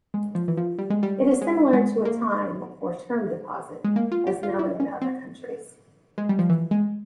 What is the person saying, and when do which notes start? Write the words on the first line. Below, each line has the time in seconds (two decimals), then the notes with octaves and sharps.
It is similar to a time or term deposit as known in other countries.
0.14 G#3
0.35 F3
0.48 E3
0.57 F3
0.79 G3
0.90 G#3
1.03 G3
1.41 G#3
1.73 G#3
2.05 A#3
3.84 G#3
3.96 A#3
4.12 F4
4.27 G4
4.43 F4
4.59 E4
4.80 C#4
5.02 C4
6.18 G#3
6.29 G3
6.39 F3
6.49 E3
6.71 G#3